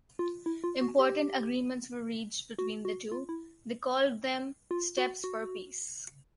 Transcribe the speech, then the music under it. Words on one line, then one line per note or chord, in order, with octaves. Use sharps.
Important agreements were reached between the two, they called them: Steps for Peace.
F4
E4
F4
F#4
G4
F#4
F#4
F4
E4
F4
F#4
F#4